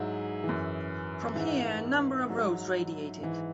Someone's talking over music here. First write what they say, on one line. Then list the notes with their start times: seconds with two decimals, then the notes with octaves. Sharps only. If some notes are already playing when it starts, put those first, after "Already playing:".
From here a number of roads radiated.
Already playing: G#2 F#3 E4 G#4
0.44 E3
0.49 F#2
1.35 G#2 E3 E4
2.28 G#2 F#3
3.20 G#2 E3